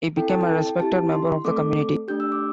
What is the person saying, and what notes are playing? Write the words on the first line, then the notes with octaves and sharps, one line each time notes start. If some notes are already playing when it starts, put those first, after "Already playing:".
He became a respected member of the community.
C4 E4 A4 G5
A5
G5
C4 E4 G4 A5
C6
A3 C4 A4 D6
A3 D4 G4 G6
E6
D6